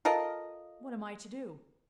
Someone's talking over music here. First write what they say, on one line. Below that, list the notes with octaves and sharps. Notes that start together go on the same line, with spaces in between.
"What am I to do?"
F4 A4 A#4 D#5